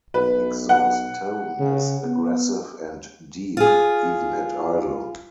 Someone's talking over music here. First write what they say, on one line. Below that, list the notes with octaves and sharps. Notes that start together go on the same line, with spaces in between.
Exhaust tone is aggressive and deep, even at idle.
B1 B4
F#5
C#3
B3
F4 G#4